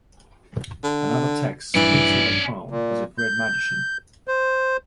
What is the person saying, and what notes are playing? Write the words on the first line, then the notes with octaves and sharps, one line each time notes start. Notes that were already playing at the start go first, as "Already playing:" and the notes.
Another text speaks of a crown as a "great magician."
D3
A#1 G2 E3 C#4 D5
A#2
G6
C5